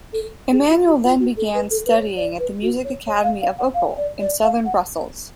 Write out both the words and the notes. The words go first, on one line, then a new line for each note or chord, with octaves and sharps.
Emmanuel then began studying at the "Music Academy of Uccle" in Southern Brussels.
A4
G#4
F4
F#4
F4
F#4
A4
B4
A4
B4
C#5
D5
B4
F#4
C#5
C#5
F5
F5
F#5
F5
D5
D5
F5
F#5